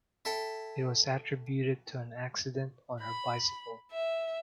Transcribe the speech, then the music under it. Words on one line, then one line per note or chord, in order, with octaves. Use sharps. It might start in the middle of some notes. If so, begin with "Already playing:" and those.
It was attributed to an accident on her bicycle.
E4 A4 G5
B5
E5